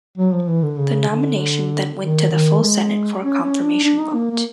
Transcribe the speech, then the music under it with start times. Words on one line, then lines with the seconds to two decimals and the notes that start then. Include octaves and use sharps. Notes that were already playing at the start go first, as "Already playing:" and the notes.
The nomination then went to the full Senate for a confirmation vote.
0.18 F#3
0.33 F3
0.48 E3
0.63 D3
0.79 C#3
1.09 D3
2.01 D#3
2.31 D#3
2.62 G#3
3.22 C#4
3.43 C#4
3.63 D4
3.84 D4
3.99 D#4
4.14 A#3
4.30 A#3